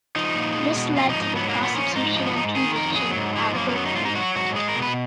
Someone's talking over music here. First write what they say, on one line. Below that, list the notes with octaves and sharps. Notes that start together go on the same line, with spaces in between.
This led to the prosecution and conviction of Albert B.
F3 D#4
A#2
G#3
B2
F3 F4
D#4
G#2
D#4
F#3 B3
A#3
A#2
B3
F3 C#4
G#2 D#4
F3 D#4
B3
G#2 D#4
D#3 G#4
F2 A#4
F#3 G#4
G#2
F3 G#3
F#2 A#3
A#3
F#3 B3
D#4
G#2 F4
D#4
F#3 F#4
G#2 F#4
G#3 G#4
A#4
B2
B4